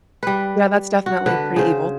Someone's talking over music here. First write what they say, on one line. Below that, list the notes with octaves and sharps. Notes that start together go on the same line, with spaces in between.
Yeah, that's definitely pretty evil.
G3 B4
F#4
D3 B4
C#3 C5